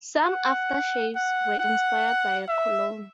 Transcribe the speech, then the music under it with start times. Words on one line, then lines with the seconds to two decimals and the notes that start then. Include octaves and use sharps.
Some aftershaves were inspired by a cologne.
0.26 F#5
1.16 F#5
1.60 F#5
2.48 E5